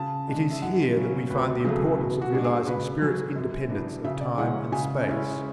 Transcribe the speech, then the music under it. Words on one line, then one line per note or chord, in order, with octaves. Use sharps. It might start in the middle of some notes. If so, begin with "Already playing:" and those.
It is here that we find the importance of realizing spirit's independence of time and space.
Already playing: C#3 A5
G#3 D4
E5
F#2 F#5
C#3 F#3 C#4
D2 B4
C#3 F#3 A3 G#4
B2
F#4
G#3 D4
G#4
C#3 B4
F#3 C#4
F#2
E3 B3 D4
C#3 E5
D5
E3 G#3 C#4 F#5
C#3 G#5
G#3 C#4 E4